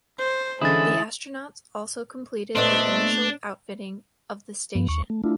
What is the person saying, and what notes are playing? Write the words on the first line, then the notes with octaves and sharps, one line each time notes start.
The astronauts also completed their initial outfitting of the station.
C5
D3 E3 G#3 C#4 E4 D#6 A6
A#2 A3 B3 D4 C5 D#5 E5
G2 F3 B3
D#2 C#6
A3
A3 D4 E4 F4